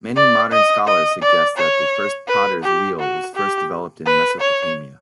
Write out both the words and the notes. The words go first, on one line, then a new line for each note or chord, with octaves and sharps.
Many modern scholars suggest that the first potter's wheel was first developed in Mesopotamia.
D5
D#5
D#5
D5
C#5
B4
G4
F#4
G4
B4
C#5